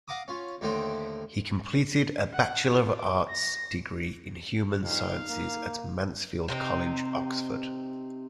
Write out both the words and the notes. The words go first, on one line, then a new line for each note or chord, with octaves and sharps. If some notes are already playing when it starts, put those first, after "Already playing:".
He completed a Bachelor of Arts degree in human sciences at Mansfield College, Oxford.
F5 F#5 A#5 D6 D#6
C#4 F4
D#2 A2 D3 D#4 C5 G5
F#5
F4
D6
A#6
F2 D#4 F5
A#3
C3 C4 D#4